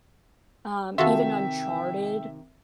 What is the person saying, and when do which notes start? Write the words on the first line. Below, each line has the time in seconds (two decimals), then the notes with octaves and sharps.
um, even Uncharted.
0.98 C3 D#3 F4 F#4 A4 E5 G5